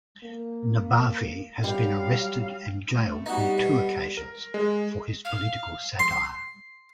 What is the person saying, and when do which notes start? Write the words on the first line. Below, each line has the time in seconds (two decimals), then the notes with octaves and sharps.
Nabavi has been arrested and jailed on two occasions for his political satire.
0.23 A#3
1.64 F#3 G3 F5 G5
2.91 A3
3.26 G3 B3 D#4 F#4
3.58 B2
4.17 A#4
4.54 G#3
5.25 F5
5.99 C6